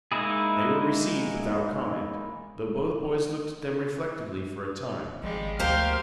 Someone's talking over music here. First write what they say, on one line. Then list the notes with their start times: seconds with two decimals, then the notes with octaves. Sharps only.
They were received without comment, though both boys looked at them reflectively for a time.
0.12 G#3 A#3 D#4 E4 G#4
5.23 G#1 F3 G3 G#3
5.60 D2 A3 A#3 G4 A#4 C5 F5